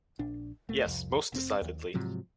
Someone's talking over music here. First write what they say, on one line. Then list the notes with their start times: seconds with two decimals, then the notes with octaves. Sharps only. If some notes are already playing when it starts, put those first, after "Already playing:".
Yes, most decidedly.
0.19 A#1 D4
0.69 D#1 A3
0.85 C2 F2
1.32 F1 C3 C4
1.61 D#2
1.94 G#2 C3 F3 F#3